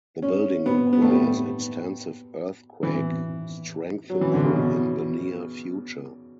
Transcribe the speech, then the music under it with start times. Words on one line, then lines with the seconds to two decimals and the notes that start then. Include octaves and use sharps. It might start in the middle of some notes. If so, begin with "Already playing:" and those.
The building requires extensive earthquake strengthening in the near future.
0.22 C#4
0.66 B3
0.93 B3
1.02 A3
1.10 G3
2.83 E3
4.10 F#3
4.21 E3
4.33 D3
4.44 C#3
4.56 B2